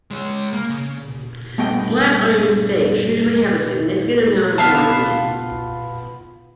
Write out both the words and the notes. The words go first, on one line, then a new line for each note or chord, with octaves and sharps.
Flat iron steaks usually have a significant amount of marbling.
G#3 C#5
A#3
C#3
G2 A3 B3 D#5 G5
B3 F4 F5 A5